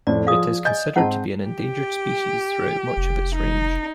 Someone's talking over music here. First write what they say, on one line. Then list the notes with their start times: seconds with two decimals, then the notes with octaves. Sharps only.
It is considered to be an endangered species throughout much of its range.
0.07 F2 A2 D5
0.27 F3 G#4 F5 D#6
0.65 D#5 G#5 G6
0.96 G#2 C4 D#4 F#5 A5
1.48 G4
2.97 F1
3.36 D#4